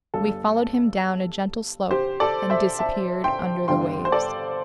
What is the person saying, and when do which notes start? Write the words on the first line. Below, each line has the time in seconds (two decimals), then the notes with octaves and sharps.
We followed him down a gentle slope and disappeared under the waves.
0.14 G1 G2 G3 A4
1.91 G4 C5
2.20 A4 D5
2.50 C5 E5
2.79 E5 A5
3.24 G5 C6
3.68 G1 G2 D3 G3 G5 C6
4.05 C5
4.12 A4 D5